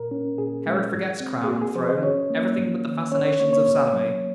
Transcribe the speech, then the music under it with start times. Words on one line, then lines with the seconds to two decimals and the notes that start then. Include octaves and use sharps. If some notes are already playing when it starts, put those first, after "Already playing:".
Herod forgets crown and throne,--everything but the fascinations of Salome.
Already playing: A#2 A#4
0.11 C#4
0.38 A#2 G#4
0.67 G#3
0.93 G#2
1.20 C4
1.44 G#4
1.48 G#2 F#4
1.62 G#4
1.75 F3 C5
1.89 D#5
2.02 C#4 C#5
2.30 A#3
2.57 G#2
2.85 D#3
3.12 C#4 C#5
3.25 C#5
3.40 A#3 C#5
3.53 C#5
3.66 G#2 C#5
3.94 F#3